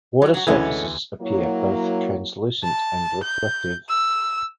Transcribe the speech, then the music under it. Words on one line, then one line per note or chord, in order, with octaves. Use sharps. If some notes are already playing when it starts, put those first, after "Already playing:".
Water surfaces appear both translucent and reflective.
F#3 F#4
F#3 F#4
D2 E3 G#3 A3 C#4
F#3 A#3 E4
A5
G6
E6